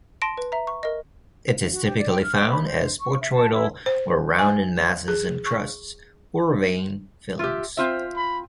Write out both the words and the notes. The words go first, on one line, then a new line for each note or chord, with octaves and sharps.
It is typically found as botryoidal or rounded masses and crusts, or vein fillings.
A5 C6 A#6 D7
B4
E5 A#5
C#6
A#4 D#5
F#4
G4
D5
G5
F6
G5
B5
C5
C#6
E5
A5
E4
C5
G#5
G#4
C#6
F4 G4 E5
C4 F4 C5 E5
B5